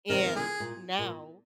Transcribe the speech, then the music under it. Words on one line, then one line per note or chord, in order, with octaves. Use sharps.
and now,
C3 D#3 A#4
D#3
A#2 D3 G#4
A#2
A#2